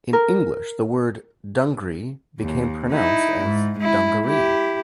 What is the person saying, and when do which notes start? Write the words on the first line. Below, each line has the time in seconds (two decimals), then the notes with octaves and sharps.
In English, the word "dungri" became pronounced as "dungaree".
0.13 A#4
2.40 D#2
2.93 D#4 E4
3.44 G#2
3.79 G#3 E4
4.26 E4 G4